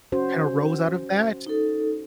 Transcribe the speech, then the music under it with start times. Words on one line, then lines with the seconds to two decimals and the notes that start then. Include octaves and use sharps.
kinda rose out of that,
0.12 C#4 F#4 C5
1.47 D#4 A4